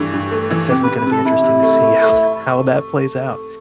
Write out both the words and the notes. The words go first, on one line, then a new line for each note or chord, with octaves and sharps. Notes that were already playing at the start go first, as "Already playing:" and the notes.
that's definitely gonna be interesting to see how how that plays out.
Already playing: G2 E3 A3
G2
A3
E3
C3 G4
C3 B4
B4
C3 A4
C3 E4
C3
A3
A3
A3